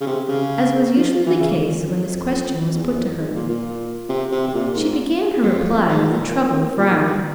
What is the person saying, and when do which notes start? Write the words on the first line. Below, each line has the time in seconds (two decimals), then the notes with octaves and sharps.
As was usually the case when this question was put to her, she began her reply with a troubled frown.
0.01 C#3
0.06 C3
0.29 C#3
0.97 F3
1.12 F3
1.26 E3
1.40 C#3
1.63 E2
1.85 F2
2.07 F2
2.75 E2
2.97 F2
3.19 G#2
3.35 A#2
3.49 A#2
4.09 C3
4.32 C3
4.48 C3
4.55 A#2
4.76 G#2
5.43 F2
5.88 G#2
6.11 A#2
6.78 A#2
6.92 G#2
7.07 G2